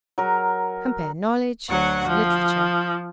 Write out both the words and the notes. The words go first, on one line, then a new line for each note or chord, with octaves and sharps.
Compare KNOWLEDGE; LITERATURE.
F#3 A#4
D2 F#3 F#4 F#5
F3